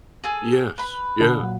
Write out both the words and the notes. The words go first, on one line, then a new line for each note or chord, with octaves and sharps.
Yes. Yeah.
G#4 A4 G#5
B4 B5
B2 D3 D4
A#2 F#3